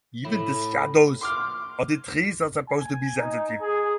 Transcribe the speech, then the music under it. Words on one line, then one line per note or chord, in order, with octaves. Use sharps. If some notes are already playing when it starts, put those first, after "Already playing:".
Even the shadows of trees are supposed to be sensitive.
A2 E4
C6 D6 F6
G#5
D#4
G#4